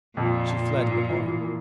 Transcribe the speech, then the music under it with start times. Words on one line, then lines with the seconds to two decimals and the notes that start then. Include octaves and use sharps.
She fled in alarm.
0.17 F2 A#2
0.48 F2
0.78 F2
1.10 E3
1.40 A#3